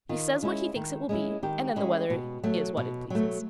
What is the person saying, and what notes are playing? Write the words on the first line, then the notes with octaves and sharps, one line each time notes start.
He says what he thinks it will be and then the weather is what it pleases.
D#3 F4
G#3 C#4 E4
D#3
G#3 C#4 E4
D#3 G4
G#3 C#4 E4
B2
F#3 A3
B2
F#3 A3